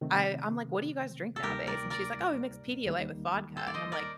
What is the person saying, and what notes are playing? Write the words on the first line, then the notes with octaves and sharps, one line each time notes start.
I I'm like, "What do you guys' drink nowadays?" And she's like, "Oh, we mix Pedialyte with vodka," And I'm like,
C3 D#3 A3 C4
A4
D2 C3 G3 A#3 D#4 G4 A#4
A#4 D5
A#4 D5
D#2 D#3 G3 A#3 D#4
A4 C5
D5
C5 D#5
A#4 D5